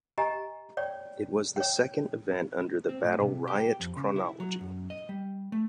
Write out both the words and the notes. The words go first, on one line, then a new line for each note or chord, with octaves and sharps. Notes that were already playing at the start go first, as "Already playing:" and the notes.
It was the second event under the Battle Riot chronology.
G4 D#5 G#5 A#5
C#5 D5 G5
C#5 G5
C4
A2
C3
G4
F2
C#3
E4
F#3
F#2
D#5
G3
A3